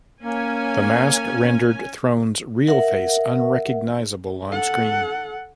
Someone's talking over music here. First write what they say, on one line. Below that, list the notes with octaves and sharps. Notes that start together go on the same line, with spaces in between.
The mask rendered Throne's real face unrecognizable on screen.
A#3 C#4 G#5
A#4 E5 F#5
A4 F#5